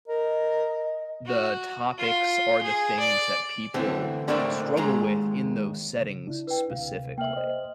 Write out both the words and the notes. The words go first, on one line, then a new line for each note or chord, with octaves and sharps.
the topics are the things that people struggle with in those settings specifically.
A#4 D#5
F#4
F4
G#4
D5
D3 E3 A3 C4
D3 A3 A#3 C4 D4 D#4
D#2 G#3 A#5
C#3
D4 E4
B4 G5
D2 C3 F5
A#3 E5 G5 F6 F#7
C5 D#5